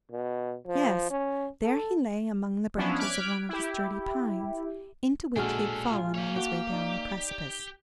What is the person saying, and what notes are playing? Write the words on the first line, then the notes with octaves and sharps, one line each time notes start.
Yes, there he lay among the branches of one of the sturdy pines, into which he had fallen on his way down the precipice.
B2
F3
C#4
A4
F3 B3 C#4 D4 E4
D6 F6 F#6 G#6 B6 D7
E4 G4
A#1 B2 G#3 D4 F#4 A4 G#5 F6
F4
A#3 G4 C#5
F#4 G4
D#4 D5